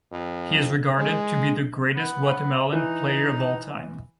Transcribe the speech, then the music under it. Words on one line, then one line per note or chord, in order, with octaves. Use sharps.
He is regarded to be the greatest Guatemalan player of all time.
F2
G#3
B3
E3 D#4